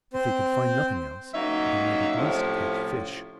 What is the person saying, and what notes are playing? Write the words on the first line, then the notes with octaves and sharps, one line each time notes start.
If they could find nothing else, they might at least catch fish.
C4 C5
F#3 A#3 C#4 D#4 E5
A2 C3 F3 C#4 E4